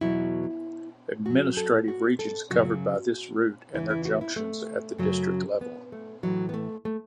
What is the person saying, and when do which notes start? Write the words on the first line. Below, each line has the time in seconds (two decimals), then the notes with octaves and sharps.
Administrative regions covered by this route and their junctions at the district level.
0.01 E2 B2 F#3 E4
1.25 F#2 F#3 F#4
1.57 A4
1.88 F#4
2.19 A4
2.50 F#2 C#3 F#3 F#4
3.74 E2 C#3 E3 E4
3.90 E4
4.05 F#4
4.21 E4
4.36 A3
4.98 F#2 C#3 F#3
5.61 B3
5.92 A3
6.23 A2 E3 F#3
6.49 B3
6.54 A3
6.85 A3